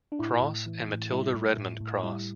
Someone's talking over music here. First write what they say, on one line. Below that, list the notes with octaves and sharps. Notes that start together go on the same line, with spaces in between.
Cross and Matilda Redmond Cross.
D4
A2 E4
A2
E3
A2
G3 E4
A2
A2
A2
G3 E4